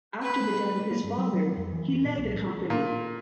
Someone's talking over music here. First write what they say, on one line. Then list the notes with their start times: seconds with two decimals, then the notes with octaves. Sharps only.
After the death of his father, he led the company.
0.22 B4
0.91 A#3
1.04 G2
1.18 F#3
1.34 F#3
1.57 F2
1.73 E3
1.88 E3
2.05 A#2
2.18 B1
2.34 A1
2.70 A#2